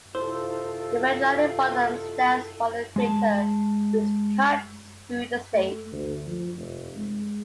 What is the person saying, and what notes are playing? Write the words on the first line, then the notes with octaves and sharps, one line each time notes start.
The red line in bottom stands for the equator, which cuts through the state.
C3 D#3 E4 F4 A4 C5 E6
G#3 G#4 A5
A3
D2
F3
F1
G#3